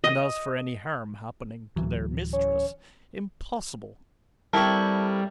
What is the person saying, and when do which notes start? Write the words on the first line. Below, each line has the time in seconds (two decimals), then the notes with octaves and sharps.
And as for any harm happening to their mistress--impossible!
0.04 D#5
1.76 D1 E3 F#3
2.33 C#4
4.53 G3 C4 E4 A4 A#4 A5 C#6